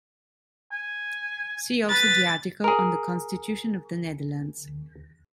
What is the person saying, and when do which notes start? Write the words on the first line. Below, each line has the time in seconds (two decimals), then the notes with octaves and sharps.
See also the article on the Constitution of the Netherlands.
0.72 G#5
1.89 B4 A6
2.64 G#4 A#4